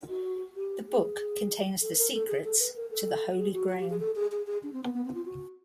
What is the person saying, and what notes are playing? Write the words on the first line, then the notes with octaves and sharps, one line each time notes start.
The book contains the secrets to the Holy Grail.
F#4
G4
G#4
A4
B4
A#4
A4
G#4
A4
B4
A#4
A4
G#4
F#4
F#4
G4
G#4
A4
G#4
G#4
G#4
D4
C4
B3
B3
C4
F4
F#4